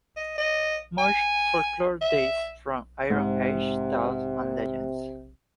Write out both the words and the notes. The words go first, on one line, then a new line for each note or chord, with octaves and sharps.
Much folklore dates from Iron Age tales and legends.
D#5
D#5
G#5
E5
G#2 C3